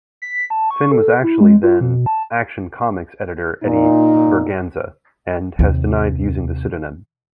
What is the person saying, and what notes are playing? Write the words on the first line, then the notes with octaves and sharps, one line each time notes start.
Finn was actually then-"Action Comics" editor Eddie Berganza, and has denied using the pseudonym.
B6
A5
C#6
A4
E4
G#3
F4
B2
A5
A#2 D#4
D#2 C3